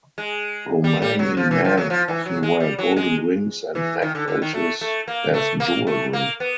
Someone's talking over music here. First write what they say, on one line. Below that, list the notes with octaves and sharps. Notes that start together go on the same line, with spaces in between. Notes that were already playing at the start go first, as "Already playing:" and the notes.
Romani men often wear golden rings and necklaces as jewelry.
G#3
G3
G3
F#3
F3
E3
F3
F#3
F3
E3
F#3
G#3
G3
F#3
G#3
E3
D#3
D3
D3
D#3
A3
A3
A#3
A3
A#3
A3
A#3
B3